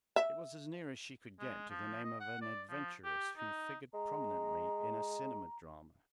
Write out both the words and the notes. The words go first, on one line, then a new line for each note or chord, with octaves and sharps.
It was as near as she could get to the name of an adventuress who figured prominently in a cinema drama.
E5
G#3
F3
D#5
F#5
D5
F3
G4
D#4
G#3 A#5